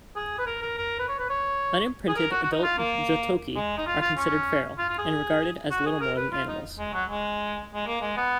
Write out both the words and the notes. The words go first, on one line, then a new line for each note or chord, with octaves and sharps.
Unimprinted adult Jotoki are considered feral, and regarded as little more than animals.
G#4
B4
A#4
A#4
A#4
B4
C#5
B4
C#5
G#4
A#4
F#4
F#4
D#4
F4
A#3
G#3
D#4
F4
F4
C#4
F4
F4
G#4
F#4
G#4
A#4
B4
F4
D#4
G#3
F#3
G#3
G#3
A#3
G#3
B3